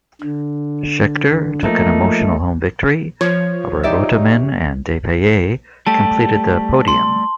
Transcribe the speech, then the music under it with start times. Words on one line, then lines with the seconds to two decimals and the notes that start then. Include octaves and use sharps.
Scheckter took an emotional home victory, with Reutemann and Depailler completing the podium.
0.21 D3
1.64 F3 A3 A#3 D#4
3.21 F3 C#5
3.83 D#4 G4 D5 E5
5.87 G3 A3 G4 A5
6.88 C6